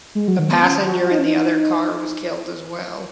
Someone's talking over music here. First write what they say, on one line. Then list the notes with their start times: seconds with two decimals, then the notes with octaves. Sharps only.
A passenger in the other car was killed as well.
0.15 G#3
0.28 F#3
0.39 D#3
0.51 B3
0.63 C#4
0.87 F#4
1.04 F#4
1.11 D#4
1.18 C#4
1.26 D#4